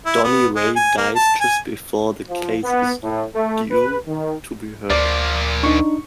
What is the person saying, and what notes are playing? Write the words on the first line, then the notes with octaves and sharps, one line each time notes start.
Donny Ray dies just before the case is due to be heard.
E4
B3
G#3
G#5
A#3
A5
G#5
F3
B3
A2
A3
B4
D#3
D2 F3 A#3 D5
D4 D#4 C#6